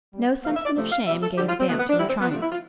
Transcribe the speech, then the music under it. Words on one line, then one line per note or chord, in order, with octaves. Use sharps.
No sentiment of shame gave a damp to her triumph.
C3 G3
C3 E3 A3 F5
E5
D5
C3 F3 A3
F5
B2 G3 E5
A4
D3 G3 G4
F4
C4
B2 A3 B3
B3
D4
D3 G3 E4
C4
B3
C3 F3 A3 D4
E4
F4